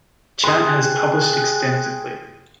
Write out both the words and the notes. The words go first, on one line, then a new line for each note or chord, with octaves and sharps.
Chan has published extensively.
G4 G#4 C6 D#6 F#6